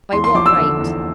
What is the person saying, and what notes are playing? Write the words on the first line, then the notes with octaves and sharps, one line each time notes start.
By what right?
E2 C6
C6
F3 D6
E6
D3
E2